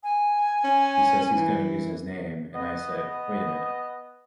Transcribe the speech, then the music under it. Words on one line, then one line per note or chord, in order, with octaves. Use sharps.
He says he's going to use his name, and I said, 'Wait a minute.
G#5
C#4
E3
B3 D#5